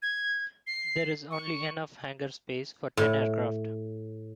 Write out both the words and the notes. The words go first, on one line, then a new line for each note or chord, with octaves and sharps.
There is only enough hangar space for ten aircraft.
G#6
C7
C#6
A2